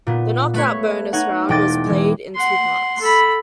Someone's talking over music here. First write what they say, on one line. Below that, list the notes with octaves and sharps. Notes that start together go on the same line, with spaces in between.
The Knockout bonus round was played in two parts.
A#2 B3
A3 B4 C#5
D#4 C#5 F#5
E1 D4 D#5 G5 D6 A6
E3 G#3
F#5 C6
A4 B5